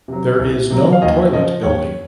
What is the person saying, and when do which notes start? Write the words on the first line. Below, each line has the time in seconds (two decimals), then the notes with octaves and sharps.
There is no toilet building.
0.08 C3 F#3
0.39 C2
0.70 C3 F#3
0.93 F5
1.02 D#2 D#5
1.33 C#3 F3 D#5
1.63 D#2 C#5